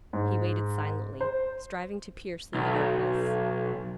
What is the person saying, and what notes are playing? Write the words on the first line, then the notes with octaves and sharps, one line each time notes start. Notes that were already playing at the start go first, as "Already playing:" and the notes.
He waited silently, striving to pierce through the darkness.
G#2
C5
B1